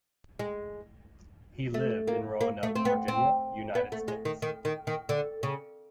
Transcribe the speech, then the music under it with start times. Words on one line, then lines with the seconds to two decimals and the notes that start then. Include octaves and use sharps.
He lived in Roanoke, Virginia, United States.
0.39 G#3
1.74 A3
2.08 A#3
2.41 A#3
2.63 A3
2.75 C4
2.85 B3
3.08 C4
3.75 B3
3.92 A3
4.08 G#3
4.25 D#3
4.42 D#3
4.65 D#3
4.87 D#3
5.09 D3
5.43 C#3